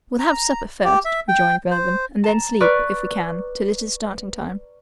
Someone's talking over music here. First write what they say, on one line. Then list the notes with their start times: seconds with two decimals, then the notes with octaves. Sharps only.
"We'll have supper first," rejoined Glenarvan, "and then sleep, if we can, till it is starting time."
0.19 A#5
0.84 G4
1.05 E5
1.28 G5
1.71 C5
2.24 A5 A#5
2.60 B4 D5 C#6 F6